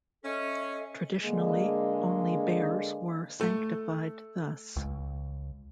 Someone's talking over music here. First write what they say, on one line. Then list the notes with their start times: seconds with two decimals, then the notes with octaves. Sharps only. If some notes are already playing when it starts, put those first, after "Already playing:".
Traditionally, only bears were sanctified thus.
0.24 C#4 A4 D#5 E5
1.24 D3 G#3 A#3
3.41 A3
4.76 C#2